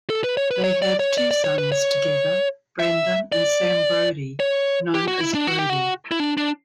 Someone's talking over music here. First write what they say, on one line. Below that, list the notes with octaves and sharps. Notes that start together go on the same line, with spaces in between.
They have two sons together, Brandon and Sam Brody, known as Brody.
A4
B4
C#5
B4
C#5
D5
C#5
D5
D5
C#5
B4
C#5
E5
D5
C#5
G4
F#4
E4
D4
F#4
G4
F#4
E4
D4
D4